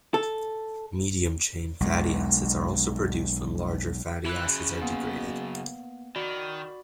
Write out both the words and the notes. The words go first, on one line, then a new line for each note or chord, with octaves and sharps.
Medium-chain fatty acids are also produced when larger fatty acids are degraded.
A4
B1 G#3
E3 B5 F#6
F#2 C#3
A#3 B3
D#3 F#4 D5 B5